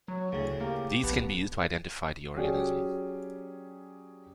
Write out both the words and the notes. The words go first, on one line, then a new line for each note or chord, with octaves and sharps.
These can be used to identify the organism.
F#3 C#5
D2 A2 C#3
A#3 G4
A#1 B3
F#3 C#4 G4 G#4 D5